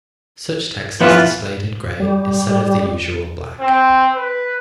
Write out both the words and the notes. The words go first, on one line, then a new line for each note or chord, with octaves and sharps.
Such text is displayed in gray instead of the usual black.
F3 B3 E4 F4 B4
G3
C4
B4